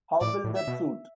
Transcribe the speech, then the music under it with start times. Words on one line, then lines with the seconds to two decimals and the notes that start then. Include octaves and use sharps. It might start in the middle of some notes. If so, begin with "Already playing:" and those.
How will that suit?
0.21 A2 D5
0.44 A2
0.56 E5
0.67 B2